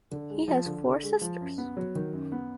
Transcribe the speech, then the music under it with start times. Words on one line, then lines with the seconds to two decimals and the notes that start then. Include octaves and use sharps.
He has four sisters.
0.11 D3
0.30 G#3
0.48 F3
0.66 D3
0.85 D3
1.03 G#3
1.21 F3
1.41 F#2
1.58 B3
1.77 F#3
1.95 D#3
2.13 F#2
2.32 B3